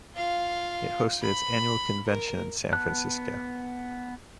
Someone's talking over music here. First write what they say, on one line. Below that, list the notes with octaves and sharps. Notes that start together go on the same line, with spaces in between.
It hosted its annual convention in San Francisco.
F4 F5
B5
A#4
B3 A5 F#6